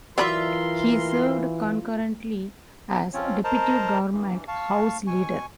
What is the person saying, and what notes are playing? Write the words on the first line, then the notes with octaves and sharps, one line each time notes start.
He served concurrently as deputy government House Leader.
E3 F#3 F4 A#4 D5 E5 B5 C6
F3 C4 C#4 F4 C#5
A#4 C5 D#5 A5 A#5
G2 E3
F5 A5 C#6
B2 G#5 C#6